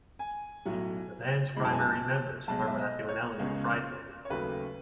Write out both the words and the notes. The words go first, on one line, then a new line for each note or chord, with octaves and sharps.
The band's primary members are Matthew and Eleanor Friedberger.
G#5
B1 A2 F#3
F#2 E3 G#3 B5
A5
G#5
A5
B1 B2 G#3 A5
E5
D#5
C#5
C#2 C#3 G#3 B3
C#5
D#2 C#3 F#3 A3 B4